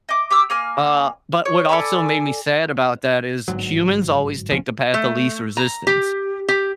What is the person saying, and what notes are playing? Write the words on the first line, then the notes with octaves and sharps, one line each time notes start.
uh, but what also made me sad about that is humans always take the path of least resistance.
D#5 D6
G4 D6 E6
A#3 G#5 F6
C#5
A4 D5 G#5 B5
G1 G#2 F#3
D#1 B1 F3 C#4
A3
A#5
G4
G4